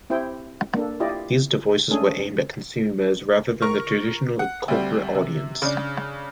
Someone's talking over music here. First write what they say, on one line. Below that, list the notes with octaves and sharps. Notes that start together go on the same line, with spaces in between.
These devices were aimed at consumers, rather than the traditional corporate audience.
C4 E4 G4 C5 G5
A#3 D4 A4
E4 F4 G4 D5 D#5
G#3 A3 C#4 D4 G#4 A4
A#4 C#6 F6
F#5
D2 G3 C4
C3
C#3 D4